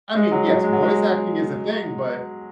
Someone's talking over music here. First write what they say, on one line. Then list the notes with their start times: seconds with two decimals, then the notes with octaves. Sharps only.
I mean, yes, voice acting is a thing, but
0.15 G#3
0.32 F#3
0.48 F#3
0.64 G#3
0.73 F#3
0.82 G#3